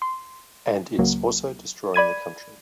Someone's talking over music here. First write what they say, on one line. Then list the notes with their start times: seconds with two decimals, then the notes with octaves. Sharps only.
And its also destroying the country.
0.02 C6
0.98 C#2 F#3 A#3
1.94 D5 B5 G#6 D#7